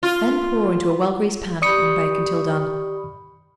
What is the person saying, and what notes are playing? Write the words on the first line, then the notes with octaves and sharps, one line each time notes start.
Then pour into a well-greased pan and bake until done.
F4
G4 D5 B5 C#6 D#6 C#7